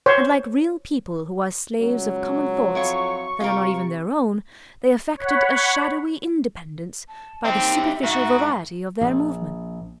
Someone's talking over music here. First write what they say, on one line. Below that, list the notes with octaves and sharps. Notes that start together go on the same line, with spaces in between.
And like real people who are slaves of common thoughts, that are not even their own, they affected a shadowy independence by the superficial variety of their movements.
C5 C#5
C#2 F#3
F2 E4 F4 C#5 C#6
C3 F4 A#4
C#5 F#5 B5
A5
C4 D#4 G4 E5
G#2 F#4
A#1